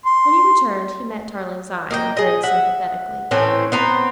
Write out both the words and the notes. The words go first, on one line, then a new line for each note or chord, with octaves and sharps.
When he returned, he met Tarling's eye and grinned sympathetically.
C6
A#3 D#5 G5
G#4 D#5
E5 F#5
A2 E3 C4 C#4
B3 C4 A#5